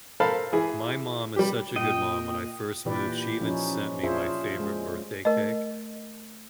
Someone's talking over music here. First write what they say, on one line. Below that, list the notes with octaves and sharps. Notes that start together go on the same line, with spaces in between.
my mom is such a good mom. When I first moved, she even sent me my favorite birthday cake
A4 A#4 C5 F5 A5 B5
E3 E4 G#4
G3 G4
A#2 D#5 G5
A#2 E3 G4 B4 D5
F3 C#4 D#4
D4 F4 G#4 C5 C#5 E5
G#3
A3 A#4 D#5